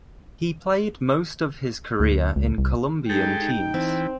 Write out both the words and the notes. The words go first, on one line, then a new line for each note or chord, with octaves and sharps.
He played most of his career in Colombian teams.
D2
C#2
C2
G#3 D#4 G4 A4 G5
D#4
E3 C4